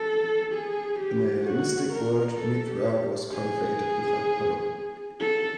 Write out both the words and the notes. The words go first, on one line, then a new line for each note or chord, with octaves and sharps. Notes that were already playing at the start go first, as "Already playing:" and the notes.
In the Hellenistic world, Mithra was conflated with Apollo.
Already playing: A4
G#4
G4
F#4
A#4
A4
G4
G#4
A4